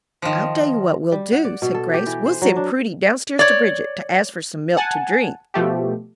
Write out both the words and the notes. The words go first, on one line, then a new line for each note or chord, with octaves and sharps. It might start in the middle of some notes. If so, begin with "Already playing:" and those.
"I'll tell you what we'll do," said Grace; "we'll send Prudy down stairs to Bridget, to ask for some milk to drink."
D#3 F3
G3
F#5
D5
B2
A4
G4
E3
C5
F#3
D4
C#5 D5
F#5 G#5 A5
B2 F3 A3 G4